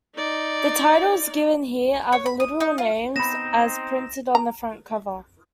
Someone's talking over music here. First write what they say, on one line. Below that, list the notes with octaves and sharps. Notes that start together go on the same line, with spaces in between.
The titles given here are the literal names as printed on the front cover.
D#4 D5
C#5
B5
D#6
D#4
F4
B3 C4 D#4 B5 A#6 E7
A#5